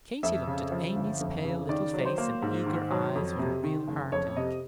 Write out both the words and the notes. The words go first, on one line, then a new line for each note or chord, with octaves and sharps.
Katy looked at Amy's pale little face and eager eyes with a real heartache.
F2 E5
C#3
F3
G1
F2
C#3
D#3 D5
F#3
C5
A#3
G#2
D#3
F#3
F2
C3
D#3
F#1
F2 C#5
C3 D#5